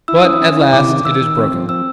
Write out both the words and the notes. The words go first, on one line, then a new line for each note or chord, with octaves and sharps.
'But at last it is broken.
E4 E6
C#4 D#6
C#4
E4
C3 D6
D#3
D#3 E6
D#3
C4
F3
C4 E6